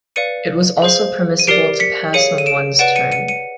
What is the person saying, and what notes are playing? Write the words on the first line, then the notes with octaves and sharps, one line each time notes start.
It was also permissible to pass on one's turn.
B4 D5 F5 C#7 D#7
G#4 C5 F5
D#7
G4 A#4 D5 C7 D7
B6 C#7
G#4 C#5 F5 C#7 D#7
D#7
D7 E7
B4 D5 F#5 D7 E7
C#7 D#7
C#7 D#7
C#7 D#7